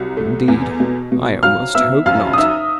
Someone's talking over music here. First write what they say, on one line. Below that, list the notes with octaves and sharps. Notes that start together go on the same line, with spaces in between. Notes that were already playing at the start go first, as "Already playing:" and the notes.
Indeed, I almost hope not.'
Already playing: C2 F#3
A3
E2
B2
B2
F#3 F5 F6
B3 E5 E6
F#2 F5 F6
D#6
D#4 E5 E6